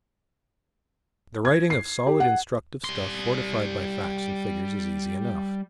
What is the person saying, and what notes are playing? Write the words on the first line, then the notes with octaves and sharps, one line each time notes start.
The writing of solid, instructive stuff fortified by facts and figures is easy enough.
G#6
C7
G4
F#5
G3 C6